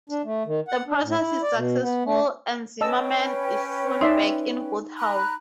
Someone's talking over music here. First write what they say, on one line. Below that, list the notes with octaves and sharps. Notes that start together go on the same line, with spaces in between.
The process is successful, and Zimmerman is soon back in good health.
D4
A3
D#3
F#5
D4
A2
E4
D5
B2
B3
A3
C#4 B4 D#5 G5 A5 E6
D#4 D5 E5 C6
A#5 B5 F#6